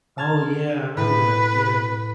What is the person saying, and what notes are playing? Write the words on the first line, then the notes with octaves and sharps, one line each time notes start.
Oh yeah, I remember that yeah.
A5 F6 G#6
A2 B4